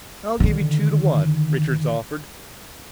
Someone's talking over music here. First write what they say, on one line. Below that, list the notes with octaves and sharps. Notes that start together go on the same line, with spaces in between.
"I'll give you two to one," Richards offered.
D3 D#3